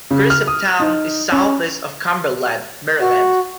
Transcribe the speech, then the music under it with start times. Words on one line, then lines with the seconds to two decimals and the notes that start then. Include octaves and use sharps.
Cresaptown is southwest of Cumberland, Maryland.
0.11 C#3
0.30 F6
0.47 D#6
0.80 D#4
1.32 C#4
3.01 F#4